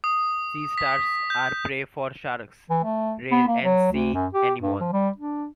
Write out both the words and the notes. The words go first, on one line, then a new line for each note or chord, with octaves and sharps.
Sea stars are prey for sharks, rays, and sea anemones.
D#6
B6
G6
E3
A3
B3
A#3
F#3
D2
F#2
G4
G2
F3
G3
D4